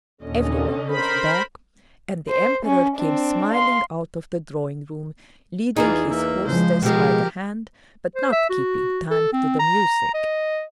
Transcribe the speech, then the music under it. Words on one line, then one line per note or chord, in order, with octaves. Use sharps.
Everyone moved back, and the Emperor came smiling out of the drawing room leading his hostess by the hand but not keeping time to the music.
D#2 A#2 D3 C#4 D#5
A#4 C5 B5
C5
C#4
C4 D4
F5 C6
E2 E3 D#4 F4 G#4
A#3 E5
C#3 F3 G#3 C5
B2 F3 G#3 G4 A#4
C5
E5
F#4
A4
C4
A#5
D#5